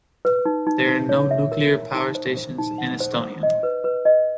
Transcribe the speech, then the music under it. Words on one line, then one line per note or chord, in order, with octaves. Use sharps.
There are no nuclear power stations in Estonia.
B4
D#4
D#4
D#4
C#5
E5
A#4
A#4
D#4
C5
C5
D#4
F#5
C5
C5
D#5
B4
B4
D#5